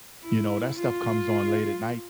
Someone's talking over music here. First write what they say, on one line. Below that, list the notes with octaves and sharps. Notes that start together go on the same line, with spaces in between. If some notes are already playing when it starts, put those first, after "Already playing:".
you know, that stuff comes on late at night.
E4
F4